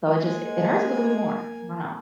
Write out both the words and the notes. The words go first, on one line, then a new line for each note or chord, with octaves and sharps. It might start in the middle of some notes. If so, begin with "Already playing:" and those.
So it just it hurts a little bit more. I don't know.
G#3 A#3 G#5